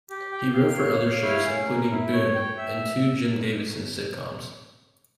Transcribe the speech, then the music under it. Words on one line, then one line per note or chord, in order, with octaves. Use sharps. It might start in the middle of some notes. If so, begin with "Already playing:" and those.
He wrote for other shows, including "Boon", and two Jim Davidson sitcoms.
G4
G5
F5
C#5
F5
E4
C#4
A#4
E4
C#5
G5
E5